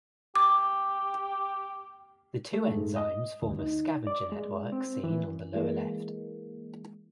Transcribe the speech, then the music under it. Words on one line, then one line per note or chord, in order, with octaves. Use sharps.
The two enzymes form a scavenger network seen on the lower left.
G4 D6
A3
G#2
D#5
D2
D#4
D5
G#3
C4
E3
E3 G#3 A#3